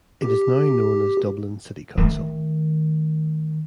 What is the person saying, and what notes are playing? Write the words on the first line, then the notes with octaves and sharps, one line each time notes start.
It is now known as Dublin City Council.
G4
D#3 A3